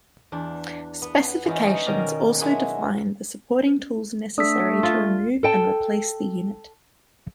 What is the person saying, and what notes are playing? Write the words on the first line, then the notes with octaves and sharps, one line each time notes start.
Specifications also define the supporting tools necessary to remove and replace the unit.
E2 D4
B3
E3 G#3 C#4 D#4 E4
D#4 F#4 D#5
B2 D#3 C#4 A#4 D5 A#5
F#3 G#3 D4 E4 F#4 G#4
A3 D4 D#6 E6 B6
F4
A4 G5 A5